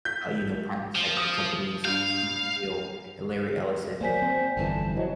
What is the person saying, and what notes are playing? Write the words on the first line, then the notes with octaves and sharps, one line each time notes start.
uh, you know, private sector companies, you know, Peter Thiel and Larry Ellison,
G6 B6
F3
D#6
G2 F5 G6
F#3 A#3 C5 D5 G#5 B6
C4
G1 F2 E3 A5
F#3 E4 C5 D#5